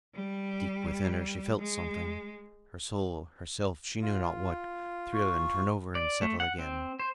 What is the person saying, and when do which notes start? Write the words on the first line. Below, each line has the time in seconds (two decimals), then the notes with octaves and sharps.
Deep within her she felt something--her soul, herself, she knew not what--thrill and turn over and settle again....
0.14 G3
1.56 G#3
4.02 F4
5.14 C#6
5.95 D5
6.22 A3
6.40 F#5
6.59 C4
6.99 C5